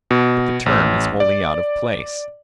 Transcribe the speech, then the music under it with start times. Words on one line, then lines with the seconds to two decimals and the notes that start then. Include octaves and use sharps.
But the term is wholly out of place.
0.11 B2
0.66 A1
1.20 D5